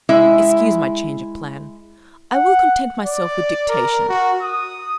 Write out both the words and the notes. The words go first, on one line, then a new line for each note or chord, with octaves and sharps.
Excuse my change of plan. I will content myself with dictation.
G#3 E4 E5
F#5
D5
A#4
F#4
D#6